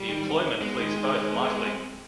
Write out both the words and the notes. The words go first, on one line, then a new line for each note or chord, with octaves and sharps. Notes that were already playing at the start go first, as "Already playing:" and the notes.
The employment pleased both mightily.
Already playing: G3
D#3
C4
D#4
G#3 B3
D#3
D#3
D#3
B3
B3
C4